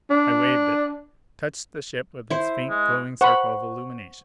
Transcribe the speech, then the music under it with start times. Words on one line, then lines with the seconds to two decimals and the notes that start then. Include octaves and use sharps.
I waved it, touched the ship with its faint glowing circle of illumination.
0.10 D4
2.30 E4 C5
2.70 G#3
3.21 C5 F#5 B5 C#6